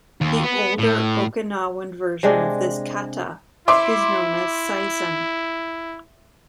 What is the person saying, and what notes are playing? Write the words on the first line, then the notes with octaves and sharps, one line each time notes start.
The older Okinawan version of this kata is known as Seisan.
D#2
B3
A2
C3 G#3 D4
E4 E5 C6 D6